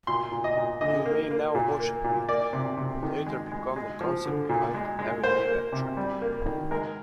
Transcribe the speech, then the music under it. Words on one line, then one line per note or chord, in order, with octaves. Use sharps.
"You May Now Worship Me" would later become the concept behind "Everyday Rapture".
A#2 C6
A#2
D#5
A#2
D3 D#5
A#3
A#3
A#2
A#3
A#2
A#3 D5
C3
C3
D#3
G#3
G#3
G#3
F3
D3
A#2
G#3
G#3
A#3 C5
A#3
C3
G3
A#3
D#3
G#3 A#4